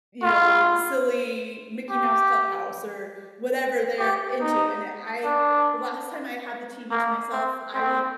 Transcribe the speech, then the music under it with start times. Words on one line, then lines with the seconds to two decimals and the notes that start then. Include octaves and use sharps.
you know, silly Mickey Mouse Clubhouse, or whatever they're into, and e I the last time I had the TV to myself, I
0.23 F4
1.90 G4
3.99 G4
4.41 D#4
5.25 D4
6.91 A#3
7.32 C4
7.75 C4